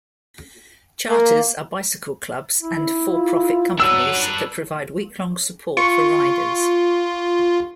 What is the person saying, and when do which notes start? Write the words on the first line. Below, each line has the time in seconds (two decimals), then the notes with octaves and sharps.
Charters are bicycle clubs and for-profit companies that provide weeklong support for riders.
1.09 A#3
2.62 E4
3.08 F4
3.80 F#3 D4 B4 E6
5.77 F4 C#6